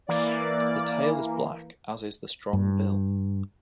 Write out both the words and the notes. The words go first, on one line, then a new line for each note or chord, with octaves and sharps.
The tail is black, as is the strong bill.
E3 A#3 D5
G2